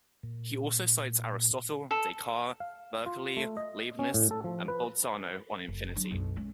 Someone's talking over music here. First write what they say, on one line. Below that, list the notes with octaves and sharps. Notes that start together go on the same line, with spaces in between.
He also cites Aristotle, Descartes, Berkeley, Leibniz, and Bolzano on infinity.
A#2
A4
F5
F4
A3
D#5
C#4
A2
A4
F3
B4
F#1
F#3 D4
B1 F#2
G#3 C#4